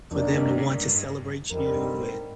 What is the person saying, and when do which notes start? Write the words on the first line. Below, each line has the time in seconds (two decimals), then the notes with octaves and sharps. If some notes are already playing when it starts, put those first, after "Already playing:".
for them to want to celebrate you, and
0.11 F2 D#3 A#3 D4
0.34 G2
0.46 G2
0.57 G#2
0.81 G2
1.51 F2 D3 G3 C4 D#4 A#4
1.75 G2
1.99 G#2